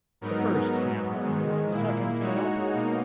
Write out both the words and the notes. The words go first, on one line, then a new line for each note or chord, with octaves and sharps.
The first can't harm you and the second can't help you.
G#2 F#3 B3 D#4 A#4
G#2 F#3 B3
G#2 D#3 G#3
A#2 A#3 E4
G#3 D#4 F#4 C#5
B2 A#3 D#4